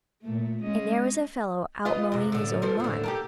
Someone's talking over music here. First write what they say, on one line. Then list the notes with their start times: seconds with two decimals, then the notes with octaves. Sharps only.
And there was a fellow out mowing his own lawn.
0.22 A#2 A3
0.62 G#3 C#4 D#5
1.85 F4 B4 D#5
2.12 F2 C3
2.32 A2 D3
2.62 F3 B3 A4
2.80 A2 D3
3.03 G4 A4 A#4